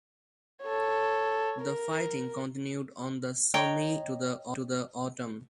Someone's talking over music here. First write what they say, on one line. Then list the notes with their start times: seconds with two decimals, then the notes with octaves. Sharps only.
The fighting continued on the Somme into the Autumn.
0.64 A4 C#5
1.61 A#4
3.54 C#5 D#5 G5 A#5